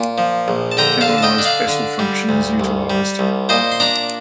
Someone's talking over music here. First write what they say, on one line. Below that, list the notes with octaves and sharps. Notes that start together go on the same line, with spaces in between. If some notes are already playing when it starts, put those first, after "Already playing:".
Generalized Bessel function is utilized.
Already playing: A#2
F3
A#1
A5
D3 G5 A#5
F5 A5
D3
A5
D#5 G5
D4
D5 F5
D3
G3
D2
C2
G3
C2
A#2 C5 D#5
C6
D4 A#5 D6